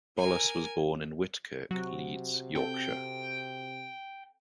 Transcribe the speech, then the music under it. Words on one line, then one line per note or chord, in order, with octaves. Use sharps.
Bolus was born in Whitkirk, Leeds, Yorkshire.
A#4 G#5
C3 F#3 F#4
C4 A4 G5 A5